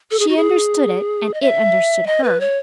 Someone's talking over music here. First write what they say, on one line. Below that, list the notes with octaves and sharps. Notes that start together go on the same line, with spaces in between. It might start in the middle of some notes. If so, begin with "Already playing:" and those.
She understood it, and it understood her.
A4
G#4
F#4
G#4
D#5
E5
D#5
B4
C#5